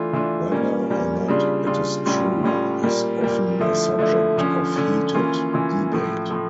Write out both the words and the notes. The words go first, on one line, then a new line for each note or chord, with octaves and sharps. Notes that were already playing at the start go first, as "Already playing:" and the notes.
Whether or not it is true is often a subject of heated debate.
Already playing: E3 A3 D4 F4
E3 A3 D4 F4
A#2 G3 A#3 C#4
A#2 G3 A#3 C#4
C#3 G3 D4 F4
C#3 G3 D4 F4
A2 G3 C#4 F4
A2 G3 C#4 F4
A#2 G3 A#3
A#2 G3 A#3
D3 F3 A3 E4
D3 F3 A3 E4
D3 F3 C#4
D3 F3 C#4
E3 A#3 C#4 F4
E3 A#3 C#4 F4
A2 F3 A3
A2 F3 A3